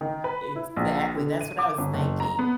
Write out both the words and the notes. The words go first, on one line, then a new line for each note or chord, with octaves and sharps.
Exactly, that's what I was thinking.
D#3
B4
E4
A#1
D3
D#7
D6
G1
F#1
A#5
B3